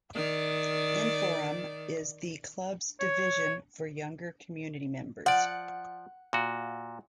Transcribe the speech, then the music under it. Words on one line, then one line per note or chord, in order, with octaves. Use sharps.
Inforum is the Club's division for younger community members.
D#3 D5
C#5
F3 D5 F#5
A#2 F#4